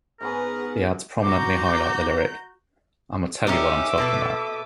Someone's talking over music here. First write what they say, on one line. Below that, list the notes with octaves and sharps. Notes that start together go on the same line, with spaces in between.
The ads prominently highlight the lyric, I'ma tell you what I'm talkin' 'bout.
G#2 B3 C#4 G#4 A#4 B4 F#5
F#4 A#5 D6 G6
C#4 D#4 G4 E5 D6
B2 A4 B4